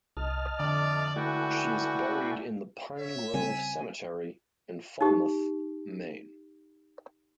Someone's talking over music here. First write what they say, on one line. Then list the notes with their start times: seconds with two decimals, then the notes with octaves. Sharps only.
She is buried in the Pine Grove Cemetery, in Falmouth, Maine.
0.17 C2 D#5 A5 F6
0.60 F2 D3 A3 D5
1.16 A3 E4 F#4 B4 D5 G5 G#5
2.98 C#5 E5
3.34 C#3 G3 C4 G#5
5.01 D#4 G4